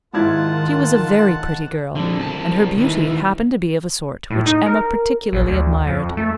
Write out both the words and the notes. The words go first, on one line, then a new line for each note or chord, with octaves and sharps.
She was a very pretty girl, and her beauty happened to be of a sort which Emma particularly admired.
G#2 D#3 E4 F4 F#5 A5 G#6
F2 D3
C2 A5
D#2 E3
A2
D#4
A#4
A#1
D2
F2
A3